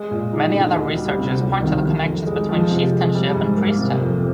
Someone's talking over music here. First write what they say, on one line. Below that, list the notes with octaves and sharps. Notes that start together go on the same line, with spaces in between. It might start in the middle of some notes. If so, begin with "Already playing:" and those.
Many other researchers point to the connections between chieftainship and priesthood.
Already playing: G#3
A#2
D#4
D3
D2
G3
C3
C2
D#3
D#3
F2
G#3
F3
C3
G#3
G3
G#2
A#3
C3
F2